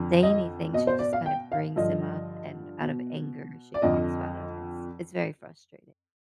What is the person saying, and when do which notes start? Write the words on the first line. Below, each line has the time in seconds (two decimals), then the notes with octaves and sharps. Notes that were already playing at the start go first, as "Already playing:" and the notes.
say anything. She just kinda brings him up and out of anger, she talks about him. It's it's very frustrating.
Already playing: F2 D3 F3
0.23 D#5
0.73 B2 D#5
0.87 C5
0.99 D5
1.13 F5
1.26 G5
1.52 F5
1.76 G2 D3 F3 D#5
2.80 B2
3.74 D5
3.82 F2 D3 F3 D#5